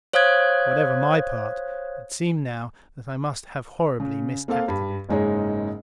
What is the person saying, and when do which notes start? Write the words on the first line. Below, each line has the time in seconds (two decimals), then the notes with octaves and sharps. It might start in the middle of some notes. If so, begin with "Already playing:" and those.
Whatever my part, it seemed now that I must have horribly misacted it.
0.13 C5 C#5 F5 D#6 F#6 G#6
4.00 C#3
4.48 A#3 C4 A4 F5
4.68 G2 B5
5.09 F#1 G#2 G#3 D#4 G#4 C#5